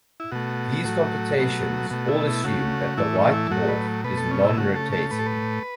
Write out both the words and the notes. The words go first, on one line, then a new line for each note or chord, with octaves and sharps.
These computations all assume that the white dwarf is non-rotating.
E4
B2 A3 F#4
A2 F#3 A3
B2 F#3 A3
B2 A3 F#4
E4
E4
C#3 A3 F#4
A2 E3 A3 E4
C#4
E4
A2 F#3 A3 F#4
B4
B2 A3 B4
A4
C#4
E4
C#3 A3 F#4
A4
A4
A2 A3 B4
A4
B4